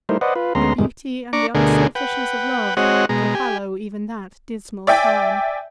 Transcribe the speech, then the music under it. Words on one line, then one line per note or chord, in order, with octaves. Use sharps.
The beauty and the unselfishness of love could hallow even that dismal time!
G3 A3 D#4 E4 A#4 C5
B4 C5 D5 D#5 F#5
F4 B4
D2 G#3 B3 C#4 A#5 C6
F2 G#2 C3 D#3 G3 G#3
D4 A#5 C#6 D6
D2 B2 D3 A3 G#4 A#4
B4 F#5 G5
G#3 C4 F#4 C#5 D#5 F#5
B2 G#3 A#5
G4 G#5
D5 E5 G5 G#5